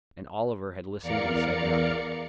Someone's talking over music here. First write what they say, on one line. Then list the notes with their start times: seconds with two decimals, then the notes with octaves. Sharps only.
And Oliver had listened and said nothing.
1.02 E2 A#4 D5 F5 C#7